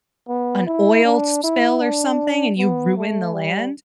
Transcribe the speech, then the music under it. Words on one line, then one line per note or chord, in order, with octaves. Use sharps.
an oil sp spill or something and you ruin the land,
B3
E4
D4
E4
D4
B3
A3
G3